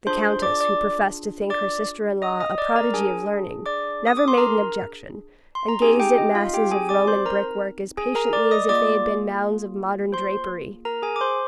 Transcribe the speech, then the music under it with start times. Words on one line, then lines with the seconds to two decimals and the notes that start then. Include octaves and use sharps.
The Countess, who professed to think her sister-in-law a prodigy of learning, never made an objection, and gazed at masses of Roman brickwork as patiently as if they had been mounds of modern drapery.
0.07 D4 F4 G#4 C5 C6
0.42 D5 D6
0.61 D5 D6
1.50 D5 D6
2.22 D#5 D#6
2.40 D#5 D#6
2.58 D5 D6
2.76 A#4 A#5
2.94 D4 G#4 G#5
3.66 D5 D6
4.07 D#6
4.17 D6
4.28 C6
4.38 A#4 A#5
5.55 C6
5.68 A#5
5.82 C4 D#4 G4 G#4 G#5
6.00 G4 G5
6.18 D#5
6.35 F4 F5
6.53 G4 G5
6.71 G#4 G#5
6.89 D5 D6
7.07 C5 C6
7.25 A#4 A#5
7.97 G#4 G#5
8.15 A#4 A#5
8.33 D5 D6
8.51 D#5 D#6
8.69 A#3 F4 G#4 D5 D6
10.12 C5 C6
10.85 A#4 A#5
11.02 G#4 G#5
11.16 D6
11.21 C5 C6